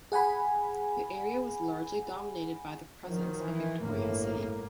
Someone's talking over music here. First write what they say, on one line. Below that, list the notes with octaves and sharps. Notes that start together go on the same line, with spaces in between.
The area was largely dominated by the presence of Victoria City.
G#4 F#5 G#5 B5
D#3 F3 F#3 C5
E3
G1 A2 A#3